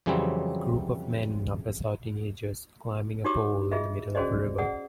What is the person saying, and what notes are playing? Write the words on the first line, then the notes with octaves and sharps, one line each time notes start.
A group of men of assorting ages, climbing a pole in the middle of a river.
F2 C#3 E3 F#3 G3 C4
D#4 F#4 G4 C#5 D6 D#6
F4 G#4 D#5 E5
C#4 F#4 G#4 C5 D5 D#5
G#4 D5 F#5 D#6